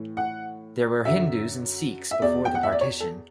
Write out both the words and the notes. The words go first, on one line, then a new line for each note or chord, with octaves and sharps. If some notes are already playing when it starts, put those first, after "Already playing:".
There were Hindus and Sikhs before the partition.
Already playing: A2 E3
F#5
F#2 D3 E5
E5
E2 B2 D5
G5
F#5
E5
D5
C#5
A4